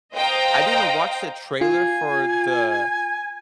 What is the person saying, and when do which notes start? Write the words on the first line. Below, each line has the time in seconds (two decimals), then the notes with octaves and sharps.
I didn't watch the trailer for the
0.15 C5 D#5 F5 G5 A#5
1.61 F4 G#5